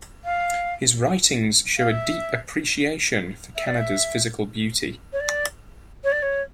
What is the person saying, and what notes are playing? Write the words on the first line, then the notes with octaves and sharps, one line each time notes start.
His writings show a deep appreciation of Canada's physical beauty.
F5
F5
E5
E5
D5
E5
C#5
D5
C#5
D5
C#5